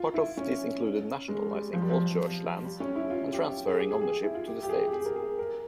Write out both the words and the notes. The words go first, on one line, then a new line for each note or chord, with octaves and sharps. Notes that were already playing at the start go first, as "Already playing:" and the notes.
Part of this included nationalizing all Church lands and transferring ownership to the state.
Already playing: F4
E4
C#4
G#3
G3
F3
G3
F3
G3
C#4
E4
F4
G4
G#4
G4
G#4
G#4
E4
F4
G4
G4
G#4
G4
G#4
A#4
G#4
A#4